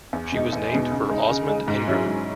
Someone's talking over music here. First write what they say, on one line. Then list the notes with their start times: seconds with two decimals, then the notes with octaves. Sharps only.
She was named for Osmond Ingram.
0.13 E2
0.32 B2 G#3 D#4
0.53 E2
0.71 B2 G#3 D#4
0.91 C#3
1.10 G#3 D#4
1.29 C#3
1.48 G#3 D#4
1.68 G#2
1.87 F#3 C#4 E4
2.06 G#2